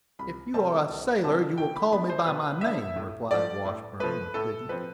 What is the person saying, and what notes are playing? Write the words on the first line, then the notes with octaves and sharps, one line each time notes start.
"If you are a sailor, you will call me by my name," replied Washburn, with dignity.
C2 B5
C3 G3 C4 A5
C2
C3 G3 C4 A5
B2 G5
B5
B3 D4 B5
C5
B2 B4
B3 D4 E5
A2
F3 A3 D5
A2
F3 A3 B4
A2 A4
F3 C4 B4